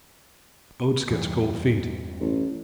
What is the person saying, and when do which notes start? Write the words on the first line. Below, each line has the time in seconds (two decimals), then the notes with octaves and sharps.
Oates gets cold feet.
1.10 E2 G2 E3
2.21 A1